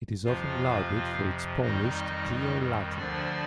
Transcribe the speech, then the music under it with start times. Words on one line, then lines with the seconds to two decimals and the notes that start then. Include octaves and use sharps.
It is often lauded for its polished, clear Latin.
0.25 F2 C3 F3 F4 F5
1.62 F2 D#3 G3 D#4 D#5
2.97 D2 D3 F3 D4 D5